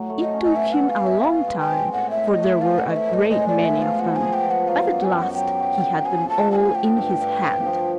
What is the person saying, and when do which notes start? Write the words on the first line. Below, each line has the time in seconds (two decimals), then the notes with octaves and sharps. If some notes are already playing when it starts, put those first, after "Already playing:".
It took him a long time, for there were a great many of them, but at last he had them all in his hand.
Already playing: A2 F#3
0.10 A3
0.21 D#5
0.33 C#4
0.44 D#5
0.56 B2 E5
0.73 F#5
0.78 G#3
0.90 F5
1.02 D#4 E5
1.24 B2 F5
1.48 G#3
1.59 G5
1.70 C4
1.93 A2 F#5
2.10 E5
2.17 A2
2.28 D#5
2.40 A3 E5
2.62 E3 F5
2.79 F#5
2.85 A3
2.90 D#5
2.96 E5
3.08 A2
3.14 D#5
3.30 G#3 D#5
3.48 D5
3.54 B3
3.65 E5
3.77 F3
3.82 F5
4.00 F3 F#5
4.16 G#5
4.22 B3
4.33 G5
4.45 F3
4.51 F#5
4.68 F#3 F5
4.91 F#2
5.03 G#5
5.13 F#2 G5
5.22 F#5
5.34 F#3 G5
5.60 F#3
5.83 F#2
6.06 F3 G#5
6.29 A3 A5
6.52 D3 G#5 A5
6.74 D3 G5
6.97 G2
7.21 G2
7.43 F3
7.66 F3